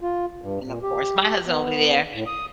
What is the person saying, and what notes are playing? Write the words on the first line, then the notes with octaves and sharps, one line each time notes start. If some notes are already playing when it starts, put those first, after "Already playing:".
and of course, my husband will be there,
F4
G2
A#2
G4
B3
A2
D#6